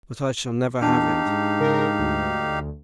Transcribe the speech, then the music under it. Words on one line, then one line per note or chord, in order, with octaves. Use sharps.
"But I shall never have it."
E2 D4 D#4 G4 F5 A5
G#2
C#3 A#4
D2